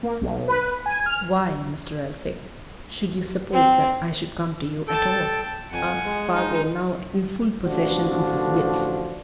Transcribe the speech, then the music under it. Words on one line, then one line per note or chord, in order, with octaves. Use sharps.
"Why, Mr. Elphick, should you suppose that I should come to you at all?" asked Spargo, now in full possession of his wits.
A#3
B1
B4
G#5
F6
C4
A4 G5 A5
F2 F#5 G#5
G#3
D#4
A1 D3 F3 D4 F#4